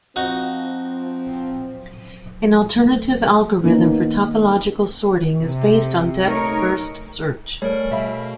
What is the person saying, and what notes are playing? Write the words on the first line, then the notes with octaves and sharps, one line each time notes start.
An alternative algorithm for topological sorting is based on depth-first search.
F3 C4 D#4 F#4
A3
D#3 A#3 B3 C#4 D#4 A#4
C3
A3 D#4 A#4 C#5
G3 A3 G#4 A#4 C#5
B2 E5 F5 B5